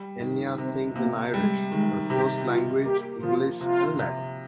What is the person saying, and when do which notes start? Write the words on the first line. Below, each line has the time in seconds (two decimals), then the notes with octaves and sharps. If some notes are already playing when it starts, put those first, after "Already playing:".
Enya sings in Irish, her first language, English and Latin.
Already playing: G3
0.21 D#3
0.58 C3 C4
0.96 C3 A#3
1.34 G3 G#3
1.72 D#3 G#3
2.10 C3 G4
2.47 C3 F4
2.85 A#3 G4
3.22 F3 F4
3.61 C3 F4
3.99 C3